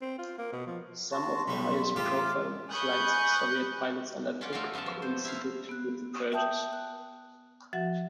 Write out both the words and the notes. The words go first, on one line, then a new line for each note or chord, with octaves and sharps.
Some of the highest-profile flights Soviet pilots undertook coincided with the purges.
C4
F4
A#3
B2
F3
F#4 A5 C6
B1 G3 B5 C#6
A1 A3 F4 G4 D6
G#5 B5 C#6 D#6 F#6 G6
C#4 F4 D5 F#5
A3 F4 F#4 D5 F5
F#2 B3 F5 F#5 A5
F3
C5
E4 F5
B3 F#6
E5 G5 A5 D#6 G6
F#6
F3 F#4 E5 F#5 A6